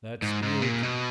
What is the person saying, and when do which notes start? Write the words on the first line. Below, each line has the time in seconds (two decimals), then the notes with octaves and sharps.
That's good!
0.22 G#2
0.43 G#2
0.62 A#2
0.83 B2